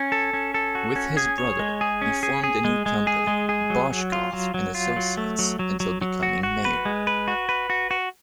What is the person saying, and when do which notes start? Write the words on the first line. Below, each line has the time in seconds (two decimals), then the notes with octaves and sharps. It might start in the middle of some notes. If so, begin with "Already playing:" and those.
With his brother he formed a new company "Boshcoff and Associates" until becoming Mayor.
Already playing: C#4
0.12 A4
0.33 C#4
0.54 A4
0.75 F#4
0.96 C#4
1.17 G#4
1.38 C#5
1.59 G#3
1.81 G#4
2.02 C#4
2.23 G#4
2.44 G#4
2.64 G#3
2.86 G#3
3.07 G#4
3.27 G#3
3.49 G#4
3.70 F#3
3.91 F#3
4.12 F4
4.33 F#3
4.54 F#3
4.75 F4
4.96 F#3
5.17 A3
5.39 F#3
5.59 F#3
5.80 F#3
6.02 F#3
6.23 F#4
6.43 F#4
6.65 B4
6.85 G#3
7.07 B4
7.28 F#4
7.49 B4
7.70 F#4
7.91 F#4